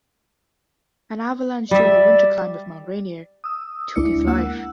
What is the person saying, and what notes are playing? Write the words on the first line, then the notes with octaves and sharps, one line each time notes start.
An avalanche during a winter climb of Mount Rainier took his life.
G3 D5 E5
D#6 E6
D2 G#3 D4 E4 D5 C#7
A#3 F#5 E6 F#6